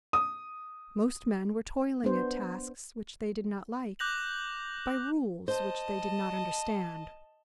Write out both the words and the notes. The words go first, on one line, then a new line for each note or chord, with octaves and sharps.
Most men were toiling at tasks which they did not like, by rules which they did not understand.
D#6
B3 D4 C5
D6 F#6 G6 A#6 F7 F#7
C5 D#5 A5